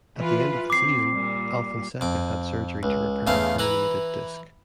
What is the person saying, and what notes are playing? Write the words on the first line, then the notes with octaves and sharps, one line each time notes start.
At the end of the season, Alfonseca had surgery to repair a herniated disc.
E3 F4 B4
C4 D6 C7
A#2 G3
F2 D6
C#2
E2 C#3 A3 F5 A5
E3 E4 B4 A#5